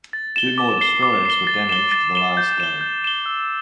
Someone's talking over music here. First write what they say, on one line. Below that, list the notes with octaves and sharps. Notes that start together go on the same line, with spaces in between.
Two more destroyers were damaged the last day.
A6
E7 G7
D6
C7 G7
D6
C7 G7
A6
E7 G7
A6
E7 G7
G6
E7 G7
G6
E7 G7
E6